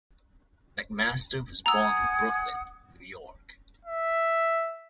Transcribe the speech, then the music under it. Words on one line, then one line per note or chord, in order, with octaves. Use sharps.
McMaster was born in Brooklyn, New York.
F#5 G#5 A#5 D#6 E6
E5